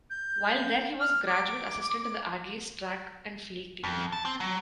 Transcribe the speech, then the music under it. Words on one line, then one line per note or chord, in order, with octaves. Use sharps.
While there he was graduate assistant on the Aggies Track and Field team.
G6
F6
D6
F2
A5
C4
F#3